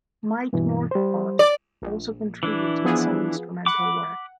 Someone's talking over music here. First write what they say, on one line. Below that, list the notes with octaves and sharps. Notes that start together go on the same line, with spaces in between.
Mike Northcott also contributed some instrumental work.
G2 B2 E3
G3 C5
D5
A#1
E3 D4 E4
F3 B3 G#4
F#5 B5 D6